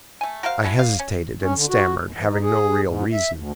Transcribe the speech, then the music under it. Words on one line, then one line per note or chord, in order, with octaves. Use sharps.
I hesitated and stammered, having no real reason.
A3 G#5
F#4 A#4 C5 F5
G#3 E4 F#4 A4
G3 F5
C#4
C#4
D3
F#4
D#2
E3
D#4
G#4
G#2
E5
D2